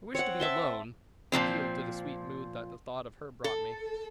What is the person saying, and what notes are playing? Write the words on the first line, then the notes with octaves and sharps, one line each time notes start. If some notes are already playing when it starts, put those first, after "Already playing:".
I wished to be alone, to yield to the sweet mood that the thought of her brought me.
C4 C#5 F#5
E5 A5 C6
A#2 C#3 F3 C4
A4